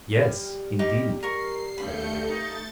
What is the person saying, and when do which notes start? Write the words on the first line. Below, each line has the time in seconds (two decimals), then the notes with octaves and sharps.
"Yes, indeed," said the man.
0.19 G3
0.79 G3 D#4 G4
1.23 A#4 C#6 C7
1.78 G2 C#3 A3 B5 G6 C#7
2.29 A#3 D#4 A6